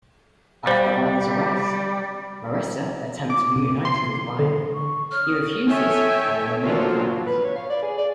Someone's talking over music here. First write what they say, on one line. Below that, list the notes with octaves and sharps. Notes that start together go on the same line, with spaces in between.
After Oliver's arrest, Marissa attempts reuniting with Ryan, he refuses and they remain friends.
G3 C5 F5
D6
C3
C6
D3
C#6
C#5 F6
D#6
A4 C#5 E5 G5 G#5
F3 F#3 A3 A#3 D4 F4
B4
C#5
F5
D5
G#4
D5